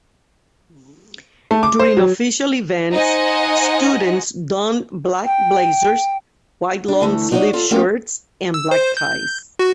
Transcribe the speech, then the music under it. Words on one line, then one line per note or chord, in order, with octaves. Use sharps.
During official events, students don black blazers, white long-sleeved shirts and black ties.
A3
D6
C5
F#3
D#4 C5 D#5 F#5 G#5
G5
D4
D2 E3 A3
D4 D#4 F#4 G4 C#5 D#5
F4 A4
A3 B3 C#4 F4 G4 A#4
E6
C5
G6
F#4